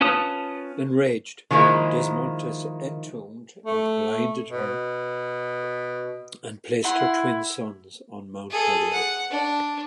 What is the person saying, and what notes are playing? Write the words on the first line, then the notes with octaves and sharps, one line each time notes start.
Enraged, Desmontes entombed and blinded her and placed her twin sons on Mount Pelion.
C#4 F4 B4 A5 D#6
D#3 F3 G#3 A#3 E4
A3
B2
E4 F#5 C6
G#4 A4
F#5
D4